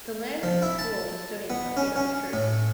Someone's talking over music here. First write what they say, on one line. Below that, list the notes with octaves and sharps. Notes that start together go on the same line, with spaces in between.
The land for the school was donated by Adolph Schertz.
F3
E4
A5
B3
C#4
C#4
A2